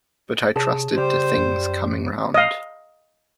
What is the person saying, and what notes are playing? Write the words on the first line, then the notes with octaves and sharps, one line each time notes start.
But I trusted to things coming round.
C3 G#4 C#5 A5
C#3 G3 G4 C5
F#2
D#5 F5